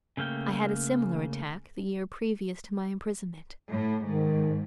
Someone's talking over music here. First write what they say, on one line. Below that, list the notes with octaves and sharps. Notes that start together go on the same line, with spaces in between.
I had a similar attack the year previous to my imprisonment.
C#3 A3 A#3 G5
A2
G#2 D#3